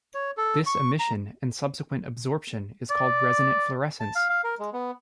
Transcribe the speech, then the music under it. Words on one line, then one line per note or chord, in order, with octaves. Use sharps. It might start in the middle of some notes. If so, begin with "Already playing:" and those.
This emission and subsequent absorption is called resonant fluorescence.
C#5
A4
C#6
A#5
D5
A5
F5
F5
A#4
G#3
B3